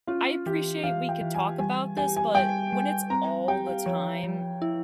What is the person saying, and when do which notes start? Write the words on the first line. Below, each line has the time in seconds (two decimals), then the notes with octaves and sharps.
I appreciate we could talk about this, but when it's all the time,
0.07 C#4 F4
0.46 E3 G4
0.83 E3 F5
1.09 G5
1.21 E3
1.35 G#5
1.59 G3 G#5
1.97 G4 G#5
2.17 G#5
2.35 G3 G5
2.73 G3
3.10 C4 A#5
3.48 G4 G5
3.67 F5
3.86 F3 C#5
4.24 F3
4.62 E4